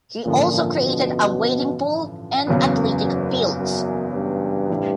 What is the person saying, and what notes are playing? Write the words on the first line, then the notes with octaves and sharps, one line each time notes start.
He also created a wading pool and athletic fields.
A1 G2 A#2 D3 F3
B2
F#1 E2 C#3 F#3 B3
F#2
F#2
G2
A2 E3 G3 C4 E4